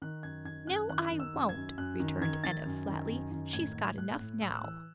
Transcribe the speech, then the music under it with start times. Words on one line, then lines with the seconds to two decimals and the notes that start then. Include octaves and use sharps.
"No, I won't," returned Enna, flatly; "she's got enough now."
0.02 D#3 F#6
0.23 F#2 G#6
0.45 D#3 G#6
0.67 F#2 F#6
0.89 D#3 F#6
1.12 D#3
1.20 E6
1.34 F#2
1.49 G#6
1.55 F#2
1.77 F#2 F#6
2.00 D#3
2.21 D#3 G#6
2.44 D#3 A6
2.66 F#2
2.87 D#3
3.10 F#2
3.32 D#3
3.53 A2 G#6
3.75 A2
3.98 A2 F#6
4.20 A2
4.41 A2 E6
4.53 F#6
4.63 E3 E6